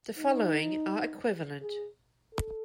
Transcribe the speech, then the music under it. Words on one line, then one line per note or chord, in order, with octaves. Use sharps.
The following are equivalent.
D#4
G#4
A4